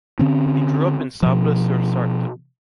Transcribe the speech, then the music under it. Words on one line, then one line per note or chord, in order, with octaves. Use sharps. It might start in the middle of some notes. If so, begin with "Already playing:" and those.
He grew-up in Sablé-sur-Sarthe.
D3 C4 C#4
B2 F3